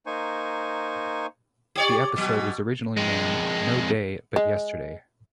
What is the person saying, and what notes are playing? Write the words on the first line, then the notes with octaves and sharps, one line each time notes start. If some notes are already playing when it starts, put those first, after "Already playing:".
The episode was originally named "No Day but Yesterday".
A#3 D#4 C5 G#5 C#6
G4 C#5 D5
B2 F#3
F2 G#3
G#3